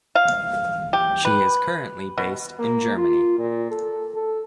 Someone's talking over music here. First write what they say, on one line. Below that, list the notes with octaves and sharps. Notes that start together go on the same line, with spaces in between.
She is currently based in Germany.
F5
G4
B4
B2
A#3
F4
A#2
A4
A4